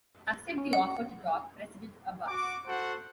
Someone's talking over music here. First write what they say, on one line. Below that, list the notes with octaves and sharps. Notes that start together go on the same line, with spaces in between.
Accept the offer to talk, President Abbas.
C#4
F#5
F#4 D6
F#4 A4 C5 F#5